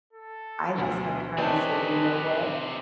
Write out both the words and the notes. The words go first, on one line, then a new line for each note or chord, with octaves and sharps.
I just had kinda said, "You know what"
A4
D2 B2 D3
C3 C4 C#4 D#4 G#4 B4 D5 A5